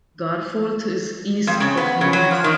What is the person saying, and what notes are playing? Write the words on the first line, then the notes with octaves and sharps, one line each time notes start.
Garforth is east of Leeds.
F2
C#3
B3
C#3
F#3
F3
D#3